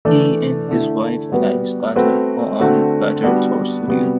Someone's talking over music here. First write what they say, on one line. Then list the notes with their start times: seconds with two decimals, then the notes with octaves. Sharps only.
He and his wife Alice Carter co-own Carter Thor Studio.
0.05 E3 A3 D4 A4
0.68 D3 A3 E4
1.32 G3 B3 F#4 B4
1.96 A3 C4 F#4 B4
2.60 D3 A3 C4 F#4
3.24 G3 B3 D4 F#4 B4
3.87 C3 G3 B3 F#4